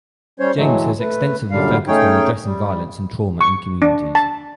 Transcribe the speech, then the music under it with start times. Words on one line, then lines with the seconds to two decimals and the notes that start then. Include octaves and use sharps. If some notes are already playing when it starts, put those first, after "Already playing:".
James has extensively focused on addressing violence and trauma in communities.
0.40 G3 C#4 C5 C#5
0.57 A2 E3 F#3 G#3 A3
0.99 A3 B4
1.51 F#2 A#2 D3 G3 F5
1.87 A3 C#4 D#4 G#4 C#5 G5
2.45 G3
3.41 C#6
3.82 D4
4.15 A5